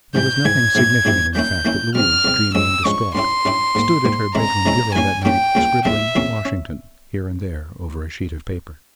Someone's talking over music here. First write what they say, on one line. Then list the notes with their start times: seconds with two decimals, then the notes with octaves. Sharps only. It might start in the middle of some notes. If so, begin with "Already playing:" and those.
There was nothing significant in the fact that Louise, dreamy and distraught, stood at her bedroom bureau that night, scribbling "Washington" here and there over a sheet of paper.
0.15 G#2 E3 G3 G6
0.45 G#2 E3 G3 G#6
0.75 G#2 F3 A#3 E4 G4
1.05 G#2 F3 A#3 E4 G4
1.35 E3 G3 A#3 C#4 E4 G6
1.65 E3 G3 A#3 C#4 E4
1.95 E2 C3 G3 F6
2.25 E2 C3 G3
2.55 G2 F3 G#3 C#4 E6
2.84 G2 F3 G#3 C#4 C#6
3.15 G2 G3 C#4 E4 G4 C6
3.45 G2 G3 C#4 E4 G4
3.75 G#2 G3 A#3
4.05 G#2 G3 A#3
4.35 C3 E3 G#3 C#4 E4 A#5
4.66 C3 E3 G#3 C#4 E4
4.95 G2 E3 A#3 C#4 G4 G#5
5.25 G2 E3 A#3 C#4 G4 G5
5.55 E2 C#3 G3 A#3 F4
5.85 E2 C#3 G3 A#3 F4 E5
6.15 E2 C3 F3 A#3 C#4
6.45 C#4